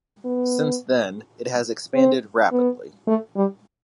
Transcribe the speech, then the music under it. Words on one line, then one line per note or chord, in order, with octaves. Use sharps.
Since then, it has expanded rapidly.
B3
C4
B3
A3
G3